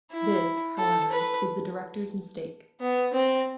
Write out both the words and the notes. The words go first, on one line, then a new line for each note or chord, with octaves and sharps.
This, however, is the director's mistake.
E4
A4
B4
B3
C4